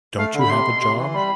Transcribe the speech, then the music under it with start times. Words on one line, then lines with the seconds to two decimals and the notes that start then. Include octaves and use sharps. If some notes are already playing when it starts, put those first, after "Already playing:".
Don’t you have a job?
0.17 A3 F5
0.34 D3 B5
0.50 C3 C6
0.65 B2
0.81 C3
0.98 E3
1.14 G3 B5